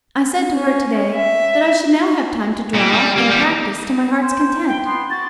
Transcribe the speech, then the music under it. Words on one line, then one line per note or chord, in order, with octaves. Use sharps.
I said to her today that I should now have time to draw and practice to my heart's content.
C#4
E5
A#2
G3
A#3
E3 G3
C5
G5
B3 C6
F#4 A6